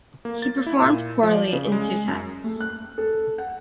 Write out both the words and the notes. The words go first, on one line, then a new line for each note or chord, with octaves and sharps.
He performed poorly in two tests.
A#3
A6
E4
A#2
F3
D5
C#3
G#3
F#2
A3
F#6
A4
F#5